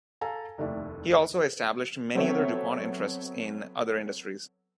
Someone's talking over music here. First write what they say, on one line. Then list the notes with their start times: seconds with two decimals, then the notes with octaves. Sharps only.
He also established many other DuPont interests in other industries.
0.21 A4 F5 G#5 A#5
0.58 F1 D#2 A3 E4 D5
2.15 F#3 B3 C4 A4 C#5 E5